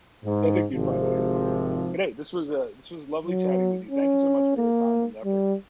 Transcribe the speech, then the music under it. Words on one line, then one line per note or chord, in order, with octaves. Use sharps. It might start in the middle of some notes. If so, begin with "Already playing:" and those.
I think you'd find a way to find them, but, hey, this was, uh, this was lovely chatting with you. Thank you so much for your time and effort.
G#2
G#1 C3 F3
F#3
C#4
A#3
G3